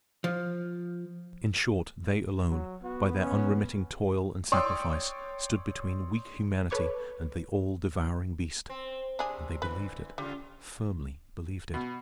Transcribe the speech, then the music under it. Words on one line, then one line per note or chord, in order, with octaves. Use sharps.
In short, they alone, by their unremitting toil and sacrifice, stood between weak humanity and the all-devouring beast; and they believed it, firmly believed it.
F3
F#3
B3 F#4
C#4
C#5 D5 G5 C6 D#6 E6
A4 B4 C#5 C#6 D6
C4
C3 D4 G#4
A#2 D3 E3 B4
C#3 G3 F4
B2